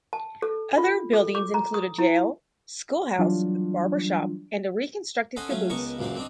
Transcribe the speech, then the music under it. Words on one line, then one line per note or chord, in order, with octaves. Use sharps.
Other buildings include a jail, schoolhouse, barbershop, and a reconstructed caboose.
A5
A4
F4
A4
D6
A#5
D#6
E4
E3 F#3 G3 D4 F4
C#4 A4 C5 D#5 F#5 C6
F#3 A3 C#4 F4
C#2 B3 A#4 D#5 A5 C#6
C#2 F#2 A#2 A#3 C4
C4 D4 D#4